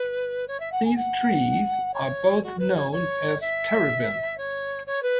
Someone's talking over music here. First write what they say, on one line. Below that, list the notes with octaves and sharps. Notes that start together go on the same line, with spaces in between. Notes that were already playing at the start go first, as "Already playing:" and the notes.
These trees are both known as terebinth.
Already playing: B4
C#5
E5
F#5
G#5
F#5
C#5
F#4
B4
C#5
C#5
E5
C#5
C#5
B4